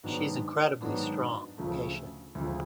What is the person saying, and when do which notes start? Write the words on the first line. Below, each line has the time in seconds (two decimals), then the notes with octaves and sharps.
She's incredibly strong, patient.
0.04 G#2 D#3 F#3 B3 D4
0.81 G#2 D#3 F#3 B3 D4
1.58 D2 C#3 F3 A3
2.35 D2 C#3 F3 A3